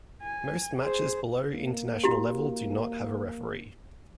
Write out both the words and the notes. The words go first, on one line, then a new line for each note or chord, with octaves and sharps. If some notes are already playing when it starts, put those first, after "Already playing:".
Most matches below international level do not have a referee.
G#5
G#4 C5
A#3
E4 F#4 G4